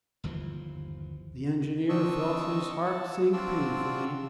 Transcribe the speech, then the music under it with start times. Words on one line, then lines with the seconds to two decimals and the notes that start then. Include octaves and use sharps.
The engineer felt his heart sink painfully.
0.24 G1 D#2 E3 F3
1.89 C4 D4 D#5 C#6 E6
2.86 F#5 A5
3.33 C4 D4 F4 F#4 D5 E6